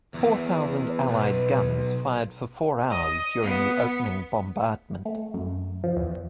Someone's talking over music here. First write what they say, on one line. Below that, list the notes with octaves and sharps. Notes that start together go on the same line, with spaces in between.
Four thousand Allied guns fired for four hours during the opening bombardment.
E2
B1
D#5
B3
A3
F#2
F3
E2